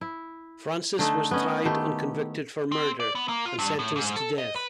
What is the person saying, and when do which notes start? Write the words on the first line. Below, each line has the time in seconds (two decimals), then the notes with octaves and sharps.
Francis was tried and convicted for murder, and sentenced to death.
0.01 E4
0.99 D3 A3 D#4
1.31 B3 C#4 D#5
1.65 D#3 A3 E4 G4
2.72 C4
3.00 D5
3.15 B3
3.29 A#3
3.46 F4
3.59 G2
3.79 A2
3.96 G#2
4.16 A4
4.38 D#5
4.56 B4